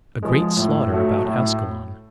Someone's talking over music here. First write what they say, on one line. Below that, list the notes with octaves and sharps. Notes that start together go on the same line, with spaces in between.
A Great Slaughter About Ascalon.
F3 G#3
A2
F#3 A3
A2